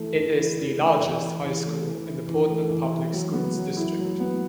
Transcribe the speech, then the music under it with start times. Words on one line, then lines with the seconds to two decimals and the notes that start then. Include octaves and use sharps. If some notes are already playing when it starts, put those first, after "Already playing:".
It is the largest high school in the Portland Public Schools district.
Already playing: E3 A3 E4
0.15 E3
0.36 E4
0.57 E3
0.79 A3
1.00 E3
1.21 E4
1.42 E3
1.64 A3
1.85 E3
2.06 E4
2.28 E3
2.49 A3
2.70 E3
2.92 E4
3.13 F#3
3.34 B3
3.56 F#3
3.77 E4
3.99 F#3
4.20 B3